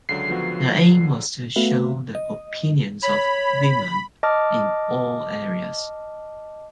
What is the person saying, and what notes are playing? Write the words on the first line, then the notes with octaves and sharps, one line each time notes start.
The aim was to show the opinions of women in all areas.
C#2 D3 F#3 C7
F3 B3 F#4
A3 B3 F#4 B4 E5 F5
D#5
C#5 B5
D#5 A5 D6 F6